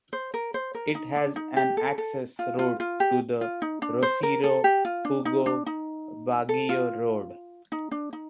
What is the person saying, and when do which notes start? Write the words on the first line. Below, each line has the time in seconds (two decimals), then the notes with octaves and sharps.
It has an access road to the Rosario-Pugo-Baguio Road.
0.13 C5
0.34 A#4
0.54 C5
0.75 A#4
0.95 D#4
1.16 D4
1.36 D#4
1.57 G4
1.77 A4
1.98 A4
2.39 F4
2.59 F4
2.80 F4
3.00 G4
3.41 F4
3.62 D#4
3.82 D4
4.03 C5
4.23 A#4
4.44 A4
4.64 G4
4.85 F4
5.05 D4
5.25 D#4
5.46 D4
5.66 D#4
6.49 A4
6.69 F4
7.72 D#4
7.91 D4
8.13 D#4